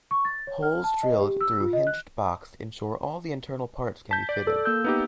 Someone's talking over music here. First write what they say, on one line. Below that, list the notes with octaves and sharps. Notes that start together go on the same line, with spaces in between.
Holes drilled through hinged box ensure all the internal parts can be fitted.
C#6
A6
C#5
F6
A5
D#5
G4
E6
F4
D#5
F#6
A5 G6 B6
D5
A4
A#3 E6 G6
B3 D#4 G4